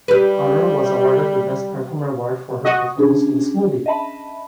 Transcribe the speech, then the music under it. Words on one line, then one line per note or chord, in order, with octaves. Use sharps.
Aunor was awarded the Best Performer award for her performance in this movie.
G3 G4 B4
F#4 D#5
C#4 D4 G#4
D#5 E5 A5 B5